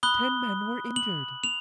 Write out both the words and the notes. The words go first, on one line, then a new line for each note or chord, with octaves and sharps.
Ten men were injured.
B5 D#6 F#6 G7
F#7
F7